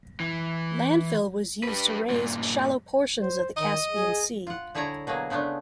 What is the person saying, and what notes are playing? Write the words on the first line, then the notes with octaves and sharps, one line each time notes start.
Landfill was used to raise shallow portions of the Caspian Sea.
E3
G4 B4
G2 A#2
C5
D#3 D#5
G#4
F4 F#5
D3 E4 G#4 C#5 D5 A#5
B2 F#3 A#3 G#4
C#3 G#3 A3 B3 D4